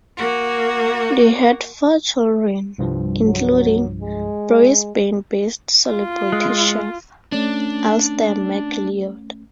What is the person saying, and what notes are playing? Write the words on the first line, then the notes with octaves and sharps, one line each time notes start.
They had four children, including Brisbane-based celebrity chef, Alastair McLeod.
A#3 F#4
C2 G2 F3
F#3
G#3
F4
G#3
A3 C#4 D4